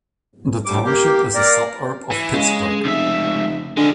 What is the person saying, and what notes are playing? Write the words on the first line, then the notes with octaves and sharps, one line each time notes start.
The township is a suburb of Pittsburgh.
D2 G3 D6
A#3 G4
A#3 A#4 D5
E3
C#3 G#3
F1 C#2 E5
D3 F3 G#3